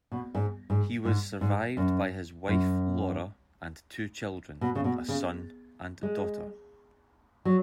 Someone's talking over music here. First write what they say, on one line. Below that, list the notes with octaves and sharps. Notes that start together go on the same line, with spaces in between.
He was survived by his wife, Laura, and two children, a son and daughter.
B2
G#2
G#2
G#2
G#2
F#2
F#2
B2
C#3
B2
C#3
G#3
F#3